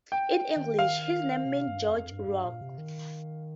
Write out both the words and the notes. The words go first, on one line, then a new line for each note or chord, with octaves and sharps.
In English, his name means George Rock.
G5
D#3
F5
C3
G2
F2
G2
G2
A#2
C3
D#3